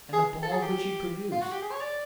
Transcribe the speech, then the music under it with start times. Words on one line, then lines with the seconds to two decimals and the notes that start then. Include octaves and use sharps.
And the balls which he produced!
0.13 G#4
0.43 A4
0.52 G#4
0.62 G4
1.32 F4
1.42 F#4
1.52 G4
1.62 G#4
1.72 C#5
1.81 D5